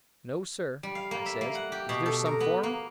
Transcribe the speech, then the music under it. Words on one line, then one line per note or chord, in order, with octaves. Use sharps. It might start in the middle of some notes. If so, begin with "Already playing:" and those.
"No, sir," I says; "is there some for me?"
G3
F5
A#3
E5
A#3
F#5
G4
B2
A4
A#4
B3
A#3